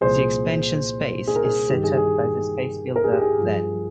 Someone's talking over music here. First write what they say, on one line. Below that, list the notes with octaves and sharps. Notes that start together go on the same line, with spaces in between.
The expansion space is set up by the space builder "then".
C2 A#2 F3 G#4 C5
G#4
A#4
G#4
G2 D#3 G4
G#4
G#4
A#4
G#4
G4
G#4
G2 F3